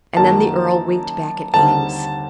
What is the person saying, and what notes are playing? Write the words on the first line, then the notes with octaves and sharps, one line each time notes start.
And then the earl winked back at Eames.
F#2 D#3 F#3 A#3 A5
D#2 D3 G3 C4 D#4 A5